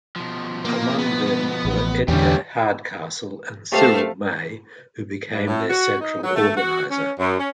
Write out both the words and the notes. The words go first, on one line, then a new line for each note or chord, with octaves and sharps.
Among them were Edgar Hardcastle and Cyril May who became their central organiser.
B2 F3
A#3
B3
A1
E2 G#2 D3 G3 C#4 G4
A3 G4 C5 F5
G2
A2
F#4
D#4
F#3
A3
F#4
C#4
F#2
C#4